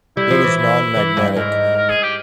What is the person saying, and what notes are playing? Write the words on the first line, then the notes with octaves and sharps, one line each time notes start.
It is nonmagnetic.
G3 E4
F3
E3
E4
E3
G2
G#2 A#4
A#4
G#4
G4